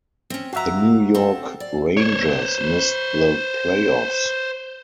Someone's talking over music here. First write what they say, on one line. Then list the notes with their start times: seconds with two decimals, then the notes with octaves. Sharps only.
The New York Rangers missed the playoffs.
0.30 C4 C#4
0.53 F#4 E5 F5 A5 A#5
1.15 C4 A4
1.60 D5
1.97 C5 C#5